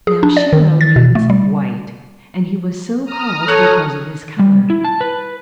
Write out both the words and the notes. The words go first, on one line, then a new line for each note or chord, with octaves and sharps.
Now Shiro means "white," and he was so called because of his color.
G#4
D4
D5
D#3
A6
B2
A3
G3
A#5 D#6 F6
A4 C#5 F#6
G3
E4
A5
B4